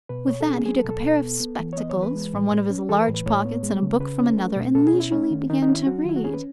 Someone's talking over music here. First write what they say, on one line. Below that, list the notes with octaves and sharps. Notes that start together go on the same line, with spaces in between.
With that he took a pair of spectacles from one of his large pockets, and a book from another, and leisurely began to read.
B2 B4
B2 C#5
A4
C#4
G#4
F#3 G#4
A4
B2
A4
B2
B3
B3
E3
C#5
B3 D#5
C#5
E3
B4
G#3
A2
A2
C#4
E3 A4
B4
A2
B4
A2 C#5
B3
G#3
C#3
C#3 B4
C#4
A3
B2
B2 A4
G#4
C#4
E4
A3 C#4
D#3
D#3 D#4
D#4
C#4
E4
F#3 F#4
D#3 E4
F#4
C#4 G#4
B4